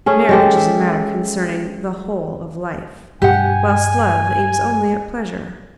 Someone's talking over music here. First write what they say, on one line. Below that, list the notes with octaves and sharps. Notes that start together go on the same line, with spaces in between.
Marriage is a matter concerning the whole of life, whilst love aims only at pleasure.
A3 C#4 G#4
G#3 G4 A4
E5
G2 B2 G3 G4 F#5 G#5